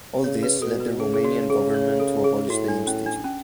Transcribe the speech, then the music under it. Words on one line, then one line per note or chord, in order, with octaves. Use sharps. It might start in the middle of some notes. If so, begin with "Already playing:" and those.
All this led the Romanian government to abolish the institute.
C#3 C#5
B4
B2 A4
B4
C#3 G#4
G#4
F#4
G#4
C#5
A4
G#4
A2 F#4
D4
C#4
D4
C#4